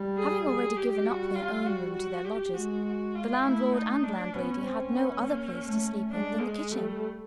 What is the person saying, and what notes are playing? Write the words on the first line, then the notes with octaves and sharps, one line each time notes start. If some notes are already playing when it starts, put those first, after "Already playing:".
Having already given up their own room to their lodgers, the landlord and landlady had no other place to sleep in than the kitchen.
Already playing: G3
G#4
G#4
G3 G4
F#4
F4
F#4
F#4
G4
G#3 F#4
F#4
F4
A3 E4
D#4
D4
B3 C#4
C4
C#4
B3
A#3
A3
G#3 D4
G#3
G3 A3